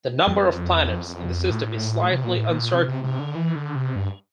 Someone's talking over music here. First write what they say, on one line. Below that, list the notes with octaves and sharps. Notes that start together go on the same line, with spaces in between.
The number of planets in the system is slightly uncertain.
F2
E2
F2
A2
C3
A#2
A2
A#2
C3
C3
C3
D3
E3
D3
C3
G2